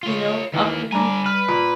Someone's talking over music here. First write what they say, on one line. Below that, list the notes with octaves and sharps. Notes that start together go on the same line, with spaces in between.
you know, often,
F4 C#5
D#3 E3 A#3
D3 G3 D4 G#5 A#5
B4 F6
A#2